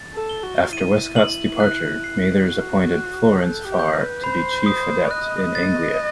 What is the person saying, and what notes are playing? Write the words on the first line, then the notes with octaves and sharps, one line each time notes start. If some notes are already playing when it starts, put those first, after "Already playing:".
After Westcott's departure, Mathers appointed Florence Farr to be Chief Adept in Anglia.
Already playing: A6
A4
G7
F#4
E4 D#7
F#7
F#6
C7
F#4 F#6
F#6
A4 G6
G4
G6
B4
C5 B5
D#6
D#5 F#6
A6